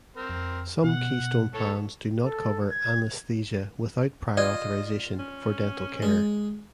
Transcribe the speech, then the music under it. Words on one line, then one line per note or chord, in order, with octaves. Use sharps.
Some Keystone plans do not cover "anesthesia without prior authorization" for dental care.
C4 A#4
F2
B2 F#5
A4 C#5
A4
G#6
F4 D5 D#5
C#4
G#3